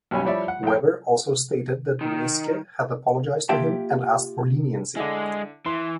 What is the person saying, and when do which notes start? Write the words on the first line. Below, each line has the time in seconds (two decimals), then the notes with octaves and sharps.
Weber also stated that Meeske had apologized to him and asked for leniency.
0.11 B1 B2 G3 C#4 G#5
0.25 F3 G3 E4 C#5 D5 E5
0.48 F#5
0.63 A#1 G5
2.01 D#3
3.49 A#3 F4 G4 E5 G5 A5
4.96 D3 G#3 E4
5.66 E3 C6